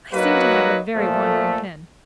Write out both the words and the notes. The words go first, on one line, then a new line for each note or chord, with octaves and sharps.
I seem to have a very wandering pen.
F#3 A#3 D#4 F#4 B4
A#2 F3 A3